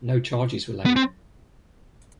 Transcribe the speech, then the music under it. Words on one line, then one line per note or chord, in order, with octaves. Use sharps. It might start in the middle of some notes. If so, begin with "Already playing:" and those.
No charges were laid.
B3
C4